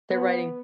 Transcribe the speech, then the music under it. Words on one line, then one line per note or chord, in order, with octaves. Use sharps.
Their writing.
B3